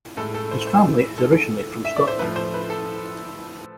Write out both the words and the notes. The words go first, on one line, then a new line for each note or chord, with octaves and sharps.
His family is originally from Scotland.
A2 G#3 A4
A4
C5
C5
D3 G#3 A4
E5
D5
C5
A2 F3 A3 B4
C5
B4
A4